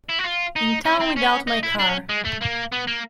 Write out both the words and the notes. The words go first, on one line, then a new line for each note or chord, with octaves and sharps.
In town without my car!
E4
F#4
F4
D#4
C#4
C4
C#4
D#4
E4
D4
C#4
G#3
A3
A#3
B3
A#3